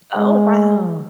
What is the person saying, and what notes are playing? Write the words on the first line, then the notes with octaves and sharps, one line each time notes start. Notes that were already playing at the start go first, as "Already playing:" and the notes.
Oh, wow.
G#3